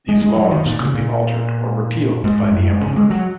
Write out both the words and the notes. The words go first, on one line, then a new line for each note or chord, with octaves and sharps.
These laws could be altered or repealed by the emperor.
G#3
G#3
F#3
D#3
A#2
C#3
A#2
G#2
G#2
F#2
G#2
C#3
G#3
F#3